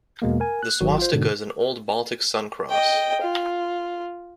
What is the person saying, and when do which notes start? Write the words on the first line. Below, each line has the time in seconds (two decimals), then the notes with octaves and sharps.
The swastica is an old Baltic sun cross.
0.22 E2 B2 G#3 A#3
0.40 A#4 G#5
0.63 F#6
0.81 G#1 D#3 F#3 F#4
0.98 F4 C5
1.13 G#2 B2 D3
2.70 D#5 G5
3.22 F4